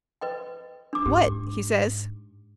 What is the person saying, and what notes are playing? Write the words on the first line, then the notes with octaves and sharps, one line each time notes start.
"What?" he says.
B4 D#5 G5
D4 D6
G#2 G4